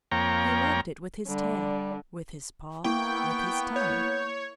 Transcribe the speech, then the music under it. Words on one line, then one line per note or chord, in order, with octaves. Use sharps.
He loved it with his tail, with his paw, with his tongue.
F2 A#3 C#5 G5 A#5
D3 G3
A#3 B3 E4 G5 C#6
C#5 G6